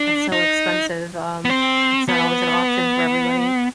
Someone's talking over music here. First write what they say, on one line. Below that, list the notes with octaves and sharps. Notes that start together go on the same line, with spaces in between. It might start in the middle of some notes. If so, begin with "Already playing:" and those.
that's so expensive, um, it's not always an option for everybody.
Already playing: D4
D#4
B3
C4
B3